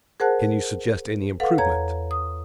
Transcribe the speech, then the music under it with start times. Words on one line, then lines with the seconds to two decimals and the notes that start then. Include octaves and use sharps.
Can you suggest any improvement?
0.20 G#4 A#4 C5 F#5 A5 F#6
1.40 A4 B4 F5 F#5
1.58 E2 C#5 A#5 G#6
2.11 D#6